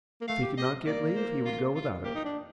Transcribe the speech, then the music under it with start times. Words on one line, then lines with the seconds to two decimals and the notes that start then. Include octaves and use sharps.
If he could not get leave he would go without it.
0.21 A#3
0.28 A3 F5
0.42 G4
0.57 G4 D#5
0.86 A#3 D5
1.16 C5
1.46 F4
1.76 F4
2.05 A#3 G4
2.15 D#4
2.25 D4